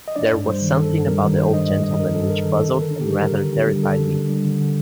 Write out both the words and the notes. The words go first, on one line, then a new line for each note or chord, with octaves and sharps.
There was something about the old gentleman which puzzled and rather terrified me.
D#5
D4 D5
G2
G3 C5
D#3
D4 A4
G2
G3 A#4
D#3
D4 C5
G2 D#5
G3 D#5
D#3 D#5
D4 A#4
G2 A4
G3 A#4
D#3 A4
D3 A4
D3
A#4
D4
G4
G3
D3 A#4
D3
D4 G4
G3
D3 A4
D3
D4
G3
D3
D3